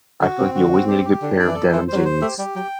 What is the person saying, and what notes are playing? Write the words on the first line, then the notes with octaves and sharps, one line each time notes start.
I feel like you always need a good pair of denim jeans
D3 F#4
C3 C4
D3 F#4
C4
G4
G4
D3 D4
D5
E3
A4
E3 C5
G3 C5
F#3
C5
A3 G4
G3 G4
F#3 G5